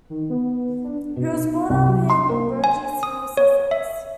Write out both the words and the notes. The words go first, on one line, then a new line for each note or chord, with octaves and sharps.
He was brought up in Burgess Hill, Sussex.
D#3
B3
D4
B2
D#4
C2
F#3
C6
A#3
G#5
D#6
C#5
E5